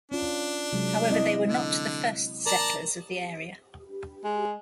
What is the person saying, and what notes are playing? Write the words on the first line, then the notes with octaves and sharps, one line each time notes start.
However they were not the first settlers of the area.
C#4 D4 F4
C3 F#3 G#3
C4 E4 D#5
D3
A#4 D5 A5 A#5
G#3